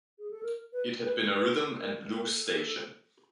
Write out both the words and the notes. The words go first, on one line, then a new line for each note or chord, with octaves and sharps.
It had been a rhythm and blues station.
G#4
A4
A#4
B4
A#4
B4
B4
A#4
A#4
A4